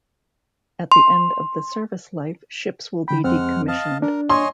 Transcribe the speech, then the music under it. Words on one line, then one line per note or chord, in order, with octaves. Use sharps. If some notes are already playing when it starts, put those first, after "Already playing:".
At the end of the service life, ships will be decommissioned.
C6
D3 G5 B5
F2 G#3 C4 F#5 F6
D#5 F5 A5
D4 A#4
C#5 D#5 G#5 C6